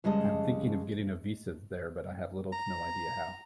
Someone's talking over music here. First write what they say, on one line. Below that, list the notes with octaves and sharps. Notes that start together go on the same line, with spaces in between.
I'm thinking of getting a visa there but I have little to no idea how.
F2 C#3 G3 G#3 D#5 A5
A#5